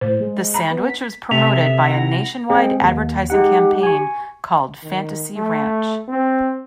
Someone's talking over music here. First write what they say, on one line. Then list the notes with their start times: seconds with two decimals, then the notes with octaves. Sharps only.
The sandwich was promoted by a nationwide advertising campaign called "Fantasy Ranch".
0.01 A2 C5
0.20 G#3
0.54 A#5 B5
0.70 B3
0.89 B6
1.31 C3 A3 B3 E5 F7
1.88 E4 F#5 A#6
2.50 G#3 C4 G#4
2.82 D#2
3.30 G#3 D#4 G4 F#5
3.83 G#5 C#6
4.83 D#3
5.36 A3
6.08 C4